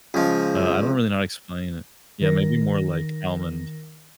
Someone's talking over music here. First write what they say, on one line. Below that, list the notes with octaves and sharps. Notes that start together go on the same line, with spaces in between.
Uh, I don't really know how to explain it. Yeah. Maybe more like almond.
C#2 F3
D#3 A#4 A#6